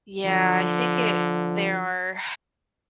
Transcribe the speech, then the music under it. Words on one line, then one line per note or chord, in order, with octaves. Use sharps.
Yeah, I think it there are
D3 F3